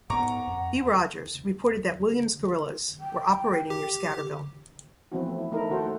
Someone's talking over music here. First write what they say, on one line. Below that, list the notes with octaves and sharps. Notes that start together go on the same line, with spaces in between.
B. Rogers, reported that "Williams Guerillas" were operating near Scatterville.
G#2 B3 F#5 A#5 C#6 D6
F2
G5
G4
E3 F3 B3 C4 E4 F#4
A3
E4
A3 D#4 E4 A#4
D#3 E4 F#4 A4 C5
A3 F#4